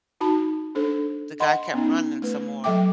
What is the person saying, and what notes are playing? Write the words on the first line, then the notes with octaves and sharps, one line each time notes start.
the guy kept running some more.
D#4 F#4 A5 B5
D4 A4 C5
D#5 F#5 B5 C6
B3 C#4 D#4
A3 B4
F#3 A4 E5 G5 D6